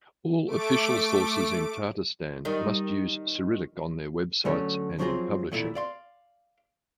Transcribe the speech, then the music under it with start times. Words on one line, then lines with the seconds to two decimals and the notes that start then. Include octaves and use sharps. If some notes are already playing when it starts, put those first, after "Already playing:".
All official sources in Tatarstan must use Cyrillic on their websites and in publishing.
0.47 A3 D6 D7
2.45 D#3 G3
4.45 D3 F#3 A3 C#4
4.99 F3 F#3 C4 F4 G#4 A#5
5.52 E2 A#2 A3 E4
5.75 D5 F5 C6